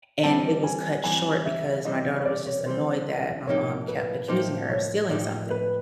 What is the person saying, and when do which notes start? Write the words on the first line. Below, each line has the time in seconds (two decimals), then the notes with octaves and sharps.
and it was cut short because my daughter was just annoyed that my mom kept accusing her of stealing something.
0.23 E3 G3 C4 A5
0.64 G#5
1.04 E3 G3 C4 G#5
1.45 E5
1.85 E3 G3 C4 D#5
2.05 D5
2.20 C#5
2.25 D5
2.47 C#5
2.66 E3 G3 C4 C5
3.47 A2 F3 A#3 D#4 G4 C#5
3.88 B4
4.28 A2 F3 A#3 D#4 G4 C5
4.70 C#5
5.09 A2 F3 A#3 D#4 G4 D5
5.50 B4